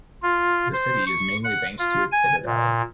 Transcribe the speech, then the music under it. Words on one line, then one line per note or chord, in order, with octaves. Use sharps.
The city is mainly thanks to its citadel.
F4
C5
C#6
F#5
F4
G#5
A#2